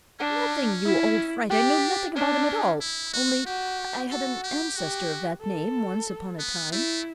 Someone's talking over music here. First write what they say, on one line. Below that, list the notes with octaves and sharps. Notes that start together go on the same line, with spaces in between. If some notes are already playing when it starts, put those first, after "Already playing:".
"Nothing, you old fright!--I know nothing about him at all; only I had an ancestor of that name, once upon a time."
C#4 D4
E4
D4 G4
C#4 D4
E4
F#4
F#4 G4
F#4 A4
G4
F#4 G4
A4
B3
A3 E4